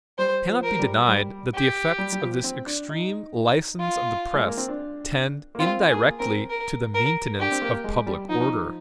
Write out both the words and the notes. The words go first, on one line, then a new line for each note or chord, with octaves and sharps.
It cannot be denied that the effects of this extreme license of the press tend indirectly to the maintenance of public order.
G3 C5
F3
A#4
G3
G3
G4
G3
G3
F3
C4
D4
D#4
F4
G#3
A#3
C4
D4
A#3
C4 F4
A#3 G#4
C4 A#4
A#4
A#4
D4 G4
C4
A#3
G#3
G3
F3 D#4